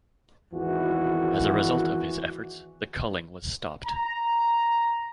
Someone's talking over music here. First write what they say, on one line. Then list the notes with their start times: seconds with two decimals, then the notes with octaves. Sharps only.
As a result of his efforts, the culling was stopped.
0.53 G#1 E2 D#3 E3 F#4
3.85 A#5